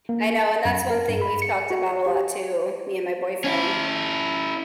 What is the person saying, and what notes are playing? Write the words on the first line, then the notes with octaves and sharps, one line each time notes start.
I know, and that's one thing we've talked about a lot too- me and my boyfriend.
A#3
A5
F#2
A#4
G2
B5
C#7
F#4
F#4
G4
C#4 E4